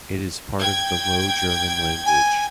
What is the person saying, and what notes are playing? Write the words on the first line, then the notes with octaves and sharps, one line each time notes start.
It is part of the Low German language.
G5 G#6
G#5